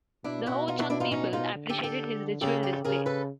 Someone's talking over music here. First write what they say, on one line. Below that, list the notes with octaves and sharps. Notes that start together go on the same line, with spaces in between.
The Ho-Chunk people appreciated his ritual display.
B2 D4 E4
E4 F#4
D#4 F4
E4 F#4
D4 E4
D#4 F4
C#4 D#4
D#4 F4
D3
G4 A4
G4 A4
C#3 G4 A4
G4 A4
C#3 G#4 A#4
A4 B4